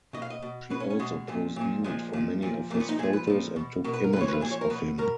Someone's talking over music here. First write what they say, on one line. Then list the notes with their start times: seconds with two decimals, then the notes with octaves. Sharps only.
She also posed nude for many of his photos and took images of him.
0.13 B2 D#5
0.22 F5
0.30 D#5
0.42 B2
0.70 B2 B4
0.80 C#4
0.90 C#4
0.99 B2 G#3
1.28 A#2 F3
1.56 A#2 F3
1.84 A#2 F3 G#3
2.13 A#2 F3
2.42 A#2 F3
2.70 A#2 A#3
2.75 F3
2.80 B3
2.89 D#4
2.99 A#2 F3 G#4
3.13 B4
3.27 A#2 F3
3.56 B2
3.84 B2 A#4
3.94 B4
4.04 A#4
4.13 A#2 B4
4.16 F3 C#5
4.28 B4
4.41 A#2 G#4
4.46 F3
4.51 C#5
4.61 A#4
4.70 B2 B4
4.98 B2 A#4